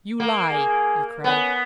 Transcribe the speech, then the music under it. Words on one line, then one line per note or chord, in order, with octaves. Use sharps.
"You lie!" he cried.
A#3
G#4
B3 C#4